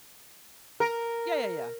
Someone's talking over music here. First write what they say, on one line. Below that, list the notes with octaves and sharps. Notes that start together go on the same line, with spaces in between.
Yeah, yeah, yeah.
A#4